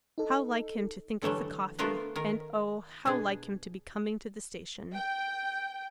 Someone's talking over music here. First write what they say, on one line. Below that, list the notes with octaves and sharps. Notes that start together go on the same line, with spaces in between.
How like him to think of the coffee; and oh, how like him to be coming to the station.
D#4 A4
D3 E3 F#3 G3 A3
A3 B3 D4 F4 A#4 B4
D#3 A#4
B2 D4 G#4
G5